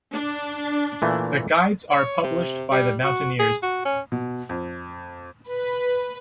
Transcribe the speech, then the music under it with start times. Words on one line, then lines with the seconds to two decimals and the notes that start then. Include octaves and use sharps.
The guides are published by The Mountaineers.
0.12 D4
1.02 A#2 E3 A3
1.91 C#5
2.24 C3
2.72 G3
3.03 F#4
3.39 G#4
3.63 F#4
3.85 C#4
4.12 B2
4.49 F2
5.48 B4